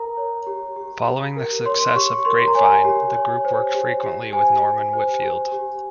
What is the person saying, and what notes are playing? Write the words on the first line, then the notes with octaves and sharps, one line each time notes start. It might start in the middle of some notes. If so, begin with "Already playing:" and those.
Following the success of "Grapevine", the group worked frequently with Norman Whitfield.
Already playing: A#4 A#5
C#5
G4
G4
G4
A#4
C#5 C6
G4 C#6
A#4 C6
A#5
C#5 G#5
G4
C#5
C5
G4
G4
C5 G#5
G4
C5
G4
G4